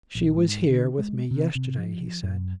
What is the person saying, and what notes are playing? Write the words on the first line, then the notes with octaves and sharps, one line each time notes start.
'She was here with me yesterday,' he said.
A#1
G#2
D3
G#3
C3
C3
F3
F#2